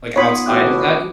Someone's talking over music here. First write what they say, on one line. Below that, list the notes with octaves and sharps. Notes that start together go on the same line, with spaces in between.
Like outside of that y
B3 D#4 F4 C#5 F#5 B5 C6 D#6
A1 B2 D6 D#6 F#6